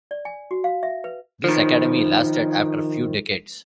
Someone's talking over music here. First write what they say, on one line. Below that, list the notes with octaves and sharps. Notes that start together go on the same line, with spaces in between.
This academy lasted after few decades.
D5
G#5
F#4
F5
E5
B4
D#3 F3